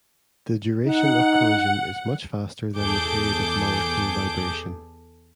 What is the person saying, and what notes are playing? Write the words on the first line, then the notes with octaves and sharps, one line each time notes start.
The duration of collision is much faster than the period of molecule vibration.
D#4 F#5
E2 G#4 A4 D6 G6